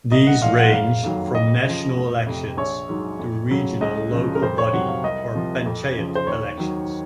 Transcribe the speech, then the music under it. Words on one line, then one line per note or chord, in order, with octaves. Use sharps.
These range from national elections to regional local body or "panchayat" elections.
C2 D#5
F#5
A#2 F3 F5
F#5
F#1 F5
F2 D#3 F#3
F2 D#5
C#3 F3
F1
F2 C3
A#1 C#5
G#2 F#3
F2
C#3 F#3
C#2 D#5
C#3 F3
A#4
F2 C5
C#5
C3 F#3 F#5
F5
C2 D#5
C3 F3
F2
C#3 F3
C5
D#2 C#5
D#3 F#3